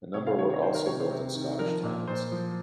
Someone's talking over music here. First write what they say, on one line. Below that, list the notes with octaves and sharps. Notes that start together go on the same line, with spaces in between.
A number were also built in Scottish towns.
C3 C#5
F5
D#3 C#5
C#5
D#3 C5
A#4
C3 C#5
C5
C3
D#3
F3 A#4
A#2
A#2 C5
F3